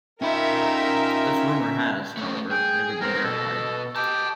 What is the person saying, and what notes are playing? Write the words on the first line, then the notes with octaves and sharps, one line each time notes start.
This rumour has, however, never been verified.
C#4 D#4 F4 A#4 E5 G5 B5
A3 C#4
G#4 G5
B3 C4 A#4
B2 F#4 A4
G4 D#5 A5